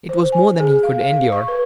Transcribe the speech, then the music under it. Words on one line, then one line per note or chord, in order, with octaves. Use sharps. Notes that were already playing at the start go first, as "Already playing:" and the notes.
It was more than he could endure.
C5
G#5
G#4
F5
F5
C#6
B4